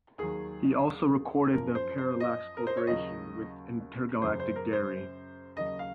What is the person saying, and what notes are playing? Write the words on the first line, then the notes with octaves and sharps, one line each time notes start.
He has also recorded as The Parallax Corporation with Intergalactic Gary.
D#2 D#3 F#3 G#4
F#2 F3 A#4
C5
C5
D#5
A#4
C5
C#5
D#2 C#3 F#3 D#5
F#2 C#3 F#3 C5
C5
A#4
C5
D#2 C#3 F#3 D#5
F5